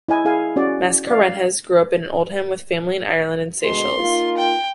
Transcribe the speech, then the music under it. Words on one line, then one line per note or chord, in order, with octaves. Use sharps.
Mascarenhas grew up in Oldham with family in Ireland and Seychelles.
E4 D#5 G#5
E4 G#4 F5 G#5
C#4 F#4 D5
D5 F5
D2 B2 G#3 C6
A#3 D#4 F4
G5